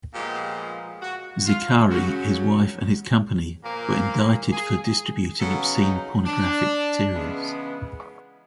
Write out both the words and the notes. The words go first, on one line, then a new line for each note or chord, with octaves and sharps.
Zicari, his wife and his company were indicted for distributing obscene pornographic materials.
A#2 F3 G#3 B3 G4
F#4
F4
F#2 C#3 F#3 F#4
A#2 F3 A#3
G#4
C#3 F#3 B3 A4
D#4
D4
C#3 E3 G#3 B3